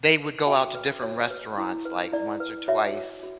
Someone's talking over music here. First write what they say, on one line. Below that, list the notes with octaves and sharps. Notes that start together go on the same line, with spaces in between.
they would go out to different restaurants, like, once or twice.
B4
F#4 E5 G5
B4
F#4 C#5
B4
E4
B4
E4 D5
B4
F#4 C#5 E5
C#5
F#4